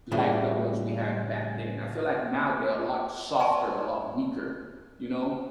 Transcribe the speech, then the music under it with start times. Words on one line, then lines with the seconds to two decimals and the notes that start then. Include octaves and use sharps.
like the ones we had back then, I feel like now they're a lot softer, a lot weaker, you know?
0.12 A2 C#3 E3 G3 A3
3.39 D5 E5 G#5 A5 C6 C#6